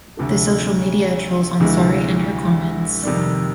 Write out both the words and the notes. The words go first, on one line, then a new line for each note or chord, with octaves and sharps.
The social media trolls Ansari and her comments.
D2 C3 F3 A3
D2 C3 E3 G#3
F2 C3 D#3 G3